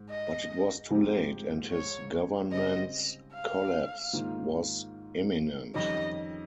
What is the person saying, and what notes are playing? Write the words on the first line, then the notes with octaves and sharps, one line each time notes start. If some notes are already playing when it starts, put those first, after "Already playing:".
But it was too late, and his government's collapse was imminent.
Already playing: G#2
D#5
G#2 F3 C4 G4
C#5
C#3 G3 C4 D#5
F5
G#2 D#3 A#3 F4
F2 D#3 G3 C#4 D#5